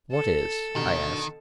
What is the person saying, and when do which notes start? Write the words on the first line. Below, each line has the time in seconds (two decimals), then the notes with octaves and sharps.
"What is?" I asked.
0.12 A4
0.76 B2 D3 D#3